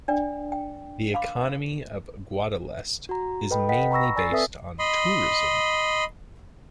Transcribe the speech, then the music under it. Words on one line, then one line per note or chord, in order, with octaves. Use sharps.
The economy of Guadalest is mainly based on tourism.
D4 D5 G5
G5
F5 B5 C6 D6
F#4 A#5
A4 B4 D#5 G5 B5
B4 D#5 F#5 G5 B6
A#5 B5 C#6 E6 A#6
D5 G#5 E6 A6 C7
C4 A4 B4 E5 D#6 B6
D#5 B5 C6